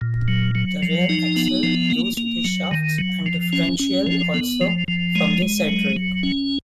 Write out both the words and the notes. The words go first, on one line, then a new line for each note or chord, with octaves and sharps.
The rear axle used the shafts and differential also from the Cedric.
A#2
F#3
F#3
F3
D#4
B3
F3
A#3
A#3
F#3
D#3
F#3
F3
C#4
C#4
F3
B3
F3
F3
G#3
G#3
F#3
F#3
C#4